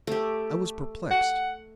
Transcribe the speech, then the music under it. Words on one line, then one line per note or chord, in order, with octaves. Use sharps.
I was perplexed.
A3 G4
F#5